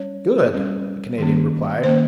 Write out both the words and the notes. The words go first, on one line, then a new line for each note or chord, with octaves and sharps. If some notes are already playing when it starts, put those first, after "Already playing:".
"Good!" the Canadian replied.
Already playing: G3 C#4 C#5
G3 C#4
D#3 A#3 C#4
D#3 A#3 C#4 C5